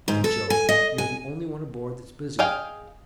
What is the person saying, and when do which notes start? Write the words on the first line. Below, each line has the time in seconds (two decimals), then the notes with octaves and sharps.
By Jove! you're the only one aboard that's busy.
0.08 G#2
0.24 A4
0.50 G#5
0.69 D#5
0.98 G#5
2.39 G#4 D#5 F5 G5